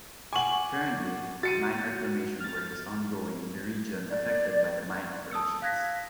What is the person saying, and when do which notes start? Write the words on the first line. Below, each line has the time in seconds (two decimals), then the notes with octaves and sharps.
Currently, mine reclamation work is ongoing in the region affected by the mine operations.
0.33 F#5 G#5 C#6 D6 F#7
1.43 F#4 A6 C#7 D#7
2.41 F6 A6
4.11 D5
5.31 A5 D#6 E6 C#7
5.62 F5 F#6 G#6 A#6 B6